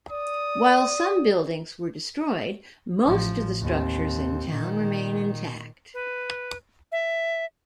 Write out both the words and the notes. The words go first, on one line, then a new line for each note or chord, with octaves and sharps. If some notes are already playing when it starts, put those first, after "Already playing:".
While some buildings were destroyed, most of the structures in town remain intact.
D5 D#6
A1 F3
D#2 C4
A#2 D#3
B4
E5